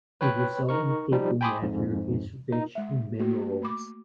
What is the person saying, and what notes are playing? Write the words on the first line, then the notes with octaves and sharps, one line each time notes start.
The resultant faecal matter is rich in minerals.
B4 C#5 G5 B5 F#6
D#4 A#4 C#6
F3 G3 D#4
G5 G#5 B5 C6 D6 D#6
F2 G#2
D#4
G#3 E5
A3 A#3 F#4
A3 B5 D6